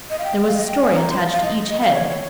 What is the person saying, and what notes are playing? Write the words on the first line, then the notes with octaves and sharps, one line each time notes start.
There was a story attached to each head.
D#5
F5
G5
G5
F5
D#5
G5
G#5
A#5
C6
F5
D#5
F5
C#5
C#5